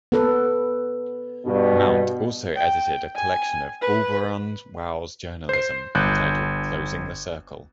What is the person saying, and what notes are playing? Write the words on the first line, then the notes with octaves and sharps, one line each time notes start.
Mount also edited a collection of Auberon Waugh's journalism entitled "Closing the Circle".
B3 A4 B4
G2 B2
G5
G#5
B4
C5 C7
G1 F#6 G6